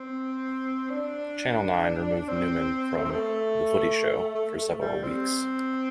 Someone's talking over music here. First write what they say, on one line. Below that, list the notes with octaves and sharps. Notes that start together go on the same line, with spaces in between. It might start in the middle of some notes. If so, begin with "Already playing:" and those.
Channel Nine removed Newman from "The Footy Show" for several weeks.
Already playing: C4
D4
C4
A3
C4
A3
A3
A3
A3
G3
C4